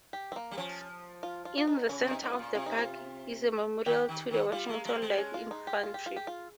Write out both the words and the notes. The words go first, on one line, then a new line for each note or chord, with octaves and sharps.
In the center of the park is a memorial to the Washington Light Infantry.
G4
C4
A#3
G3
F3 C#4
F4
F4
F4
D#4
C#3 C#4
C#3
C3
D#4
G#2 D#4
F4
A#2
C3 F4
D#4
F4
D#3 G4
D#3
D#3
G3 F4
G#3
A#3
G#3
C4
G#3
C#4
F4
D#4
G4
F4
G4
F4
G4
F4